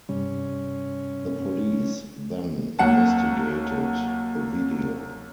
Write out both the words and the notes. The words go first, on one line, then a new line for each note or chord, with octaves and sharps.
The police then investigated the video.
G2 C3 G3 C#4
D#2 F#3 F#5 A5